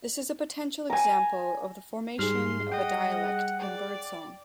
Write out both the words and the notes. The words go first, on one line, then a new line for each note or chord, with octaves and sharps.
This is a potential example of the formation of a dialect in bird song.
G#5 A#5
G#2 G3 G#4 C6 F6
D#5 F#5 G5
D5